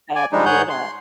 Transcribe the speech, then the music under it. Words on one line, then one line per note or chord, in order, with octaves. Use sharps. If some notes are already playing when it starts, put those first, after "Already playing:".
Sad to hear that.
D5 G#5
F3 G3 G#3 D4 D#4
G#2 G#4 C#5 F#5 G6
C6